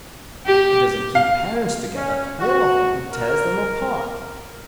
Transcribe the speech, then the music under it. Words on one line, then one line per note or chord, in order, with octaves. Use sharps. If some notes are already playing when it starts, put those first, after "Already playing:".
It doesn't keep parents together; more often it tears them apart.
G4
F5
C#4
F#4
A#4